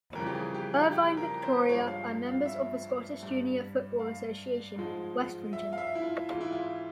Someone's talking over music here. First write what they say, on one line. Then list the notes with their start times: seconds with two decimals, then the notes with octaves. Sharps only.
Irvine Victoria are members of the Scottish Junior Football Association, West Region.
0.15 F2 C#3 E3 G3 A#4
0.26 G4
0.35 G#4
0.54 G4
0.74 F4
0.92 G4
1.17 A#4
1.43 C5
1.69 G2 F3 G#3 C#5
1.88 F5
2.27 F5
2.46 E5
3.23 G2 G3
3.99 F5
4.76 G#2 F3 G#3
5.53 E5
5.73 F5
5.78 E5
5.95 E4
6.03 F4
6.29 G#2 E3 G#3 F4
6.41 E4
6.52 F4